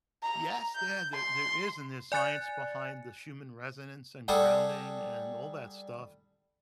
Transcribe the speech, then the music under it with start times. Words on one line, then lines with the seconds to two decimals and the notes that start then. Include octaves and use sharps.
Yes, there there there is and there's science behind the human resonance, and grounding, and all that stuff,
0.23 A#5
0.75 G6
1.13 C6
2.12 D5 G#5 F#6 A6 C#7
4.28 G3 G#4 A4 D5 F#5 G5